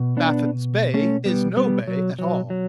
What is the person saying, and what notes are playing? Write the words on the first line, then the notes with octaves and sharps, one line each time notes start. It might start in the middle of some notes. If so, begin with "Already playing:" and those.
Baffin's Bay is no bay at all.
Already playing: B2
B3 D4
A3 C#4
G3 B3
G3 B3
F#3
F#3
F#3